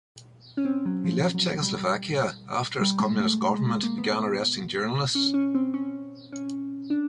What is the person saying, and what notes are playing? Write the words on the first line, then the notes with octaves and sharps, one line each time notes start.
He left Czechoslovakia after its Communist government began arresting journalists.
C#4
C4
F#3
F3
F#3
G3
G3
G#3
A3
G#3
G#3
A#3
B3
C#4
C#4
C4
C#4
C#4
D4